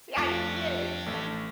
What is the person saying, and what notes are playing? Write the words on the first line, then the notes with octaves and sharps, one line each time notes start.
See, I didn't get it, so
F2 A3 D4 F4 G4
A1 A3 G#6